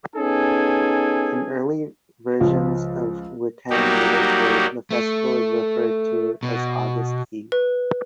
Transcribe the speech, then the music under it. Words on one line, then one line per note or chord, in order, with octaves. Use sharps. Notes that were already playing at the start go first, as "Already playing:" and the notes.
In early versions of Wiccan literature the festival is referred to as "August Eve".
B3 C#4 D#4 G#4 A4 G#5
C#2 F3
F#3 G3 A#3 D#4 F#4 G4
A3
B2
B4